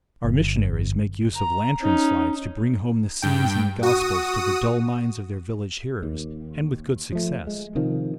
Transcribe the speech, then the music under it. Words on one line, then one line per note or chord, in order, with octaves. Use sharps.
Our missionaries make use of lantern-slides to bring home the scenes in the Gospels to the dull minds of their village hearers, and with good success.
G1
A#5
C#4 D#4
G2 G5
F#4 D#6
D#2
F3 A3
G#3
C3 D#3 F3